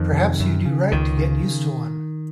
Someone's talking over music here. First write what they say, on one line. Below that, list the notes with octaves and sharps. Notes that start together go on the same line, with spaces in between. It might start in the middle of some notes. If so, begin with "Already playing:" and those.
Perhaps you do right to get used to one.
Already playing: F2 D#3
C3
F#2
C#3
C#2 D#3
C#3